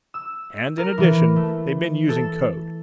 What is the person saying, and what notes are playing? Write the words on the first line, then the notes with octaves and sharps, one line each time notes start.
And in addition, they've been using code.
E6
A#4
E3
A3
A4